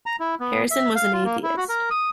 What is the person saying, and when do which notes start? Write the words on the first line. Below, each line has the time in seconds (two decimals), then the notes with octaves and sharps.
Harrison was an atheist.
0.06 A#5
0.20 E4
0.40 B3
0.71 E5
0.96 F5
1.13 F4
1.25 A#3
1.43 E4
1.57 F#4
1.69 A#4
1.90 D#6